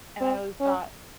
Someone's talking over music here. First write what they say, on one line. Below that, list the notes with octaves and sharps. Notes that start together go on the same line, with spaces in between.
and I w thought
C4
C#4